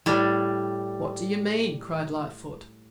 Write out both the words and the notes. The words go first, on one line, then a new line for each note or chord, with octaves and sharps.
"What do you mean?" cried Lightfoot.
A2 G3